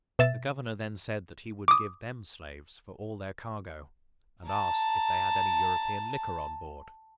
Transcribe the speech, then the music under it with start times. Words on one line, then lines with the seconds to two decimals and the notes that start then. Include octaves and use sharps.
The governor then said, that he would give them slaves for all their cargo; and asked if they had any European liquor on board.
0.19 B2 E5 A6
1.68 D6 D#6
4.47 A5 A#5